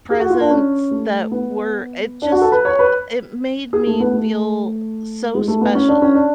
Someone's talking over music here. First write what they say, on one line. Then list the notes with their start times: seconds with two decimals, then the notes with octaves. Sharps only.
presents that were it just uh, it made me feel so special,
0.10 G#4
0.20 F#4
0.30 F4
0.41 D4
0.51 C#4
0.91 A3
1.31 B3
2.22 D4
2.32 F#4
2.42 A4
2.52 B4
2.65 C#5
2.79 B4
3.73 G#4
3.87 A3
4.00 B3
4.13 A3
5.35 G#3
5.48 A3
5.61 B3
5.75 C#4
5.88 D4
6.02 C#4
6.15 D4